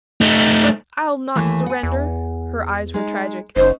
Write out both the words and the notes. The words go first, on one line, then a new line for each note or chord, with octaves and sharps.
"But I'll not surrender." Her eyes were tragic.
A3 D#4
D#2 E3 A3
F#5 G#5
E2
G#3 D#4
F#1 C#4 D#4 C5